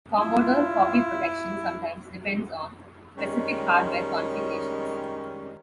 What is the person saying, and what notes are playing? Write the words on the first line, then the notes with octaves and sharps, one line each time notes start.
Commodore copy protection sometimes depends on specific hardware configurations.
E4 F4
D#3 G3 G#3 C#4